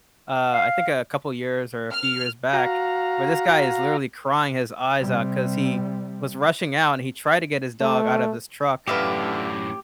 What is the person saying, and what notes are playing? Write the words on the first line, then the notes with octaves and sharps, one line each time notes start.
uh, I think a couple years or a few years back, where this guy is literally crying his eyes out 'cause he was rushing out and he tried to get his dog out of his truck
F5
F6
F#4 F5 A#5
C3 G3
A3
F#2 A2 D3 G4 B4 E5 F5